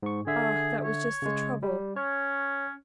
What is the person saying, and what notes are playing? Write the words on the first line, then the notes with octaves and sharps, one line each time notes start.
Ah, that was just the trouble.
G#2 C#6
D3 G#4 E5
C#5
C#3 G#3
G3
C#4 C#5